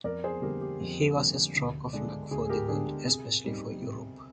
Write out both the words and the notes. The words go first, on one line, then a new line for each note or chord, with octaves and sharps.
He was a stroke of luck for the world, especially for Europe.
F2 A#4 D5
G#4 C5
D3 G3 A#3 G4 A#4
G4
F2
D3 G3 A#3
D2
D3 G#3 D4
D2 G#4
G#4
G4 A#4
D3 G#3 D4 G#4
G4
C3 G#4
G3 C4 D#4
C3